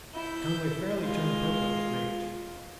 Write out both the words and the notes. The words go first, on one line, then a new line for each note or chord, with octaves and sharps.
Conway fairly turned purple with rage.
E4 G6
G#3 F4